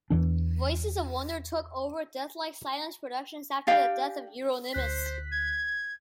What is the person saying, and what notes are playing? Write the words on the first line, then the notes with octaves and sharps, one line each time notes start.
Voices of Wonder took over Deathlike Silence Productions after the death of Euronymous.
E2 E3 D4
D4 G4 F5 G5
D2 C5 F#6 B6
G#6